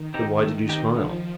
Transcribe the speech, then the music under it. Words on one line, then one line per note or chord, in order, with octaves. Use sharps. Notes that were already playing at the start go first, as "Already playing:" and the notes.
"Then why did you smile?"
Already playing: D#3
C4 D#4 G4
D#3 A3
C4 D#4 G4
D3 F3